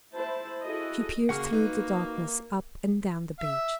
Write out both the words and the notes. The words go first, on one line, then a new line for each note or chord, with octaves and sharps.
She peered through the darkness up and down the beach.
E4 C5 A5
E4 F#4 G#4 A4 D#5
C#3 A#3 F#4 G#4 F#5 C#6 F6
D#4 F#4 B4
E5